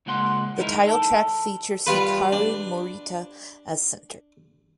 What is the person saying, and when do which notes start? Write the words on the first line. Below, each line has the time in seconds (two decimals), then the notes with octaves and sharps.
The title track features Hikaru Morita as center.
0.06 C#2 A#2 G#3 F#5 C6
0.57 D#3 G#3 D#4 E4 A#4
0.87 A4
1.87 G3 F4 B4
2.33 D4